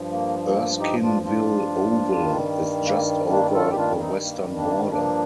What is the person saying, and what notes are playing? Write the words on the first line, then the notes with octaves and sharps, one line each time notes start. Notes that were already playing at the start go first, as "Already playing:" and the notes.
Erskineville Oval is just over the western border.
Already playing: G2 F3
A#3
A#3
D#4 G4
D4 F4
D4 F4
G2 D#3 G3
A#3
A#3 D4
F4 A4
G4
D4 F4
C4 D#4
A#3
A#3 D4
G2 F3 A#3 D4